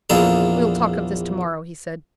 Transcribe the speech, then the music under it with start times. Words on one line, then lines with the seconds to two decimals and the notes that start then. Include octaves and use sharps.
"We'll talk of this to-morrow," he said.
0.10 A#1 E2 A#3 G#4 A4 A#5